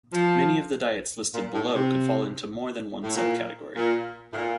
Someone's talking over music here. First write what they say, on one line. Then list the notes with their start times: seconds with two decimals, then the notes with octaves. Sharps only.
Many of the diets listed below could fall into more than one subcategory.
0.13 F3
1.34 A#2
1.54 A2
1.74 C3
3.04 A2
3.16 A#2
3.76 A#2
4.33 A2
4.36 A#2